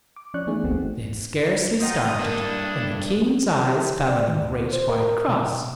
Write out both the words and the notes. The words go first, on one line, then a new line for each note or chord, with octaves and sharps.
They had scarcely started, when the King's eyes fell on a great white cross!
D6
F3 C#4 D5 C#6 F#6
E3 A3 B3 D#4 G#4
G1 D2 E3 A3 C4 F#4
D#4 F4 D#5 F#5 G5 D#6
G2 A#3 D4 E4 A4
G4
D5
D#3
D2
C5
A#4
B2